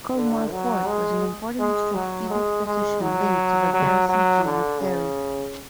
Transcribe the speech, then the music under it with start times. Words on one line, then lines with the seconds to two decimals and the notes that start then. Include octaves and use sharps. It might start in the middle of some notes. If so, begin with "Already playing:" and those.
Culmore Fort was an important strategic position linked to the garrison town of Derry.
0.16 D3
0.52 F#3
0.87 G#3
1.59 G#3
1.95 F#3
2.31 G#3
2.66 G#3
3.02 F#3
3.74 F#3
4.09 F#3
4.45 D3
4.81 C#3